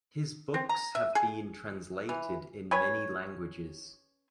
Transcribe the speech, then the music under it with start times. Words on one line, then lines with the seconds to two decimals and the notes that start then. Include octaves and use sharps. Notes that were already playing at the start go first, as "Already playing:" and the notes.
His books have been translated in many languages.
0.54 C4
0.69 A#5
0.95 E5
1.15 G#4
2.09 E3
2.71 C#4 B4 C#5